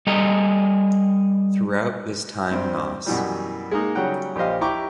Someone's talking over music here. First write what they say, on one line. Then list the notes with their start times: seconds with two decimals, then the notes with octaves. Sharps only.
Throughout this time Nos.
0.07 G3 A4 D#5 A#5
2.51 G2 C4
3.06 F#2 B2 E3 G3
3.71 G#3 A#3 D#4
3.95 C#3 F#3 G3 F#5 G5
4.36 A#1 G4 C5 D#5 F5
4.61 E4 G4 G5 A#5 C#6 D6